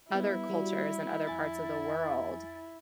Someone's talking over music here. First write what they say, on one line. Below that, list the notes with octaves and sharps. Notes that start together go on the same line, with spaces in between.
other cultures and other parts of the world
G3 B3 E4
G3 F#4 D5
F2 G#5 A6